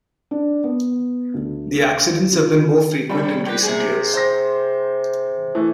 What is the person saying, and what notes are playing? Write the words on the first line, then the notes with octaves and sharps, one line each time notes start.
The accidents have been more frequent in recent years.
D4
B3
D2
F4
C3 G3
G4 B4
C3 G#4
C5 A#6
E3 A3